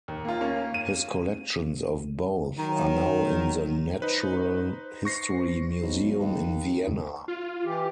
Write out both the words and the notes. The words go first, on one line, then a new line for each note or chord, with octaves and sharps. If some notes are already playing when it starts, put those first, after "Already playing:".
His collections of both are now in the Natural History Museum in Vienna.
D#2
A#3 F4
A#3 C#4
D#7
D#3 F#3
D#4 B4 C5
C#6 A#6 C7
B1
D#2
F4
E3 G4